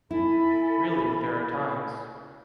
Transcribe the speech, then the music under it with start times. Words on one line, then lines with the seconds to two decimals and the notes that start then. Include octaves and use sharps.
Really, there are times...
0.11 E4 A4 G#5 B5